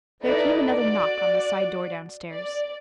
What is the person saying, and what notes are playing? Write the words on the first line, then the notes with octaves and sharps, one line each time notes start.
There came another knock on the side door downstairs.
D#4 E4 A4 B4 D5 D#5
F#4 D5
D5